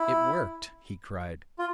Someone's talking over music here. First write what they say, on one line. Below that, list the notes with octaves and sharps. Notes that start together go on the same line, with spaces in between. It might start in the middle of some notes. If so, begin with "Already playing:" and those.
"It worked!" he cried.
Already playing: E4
F4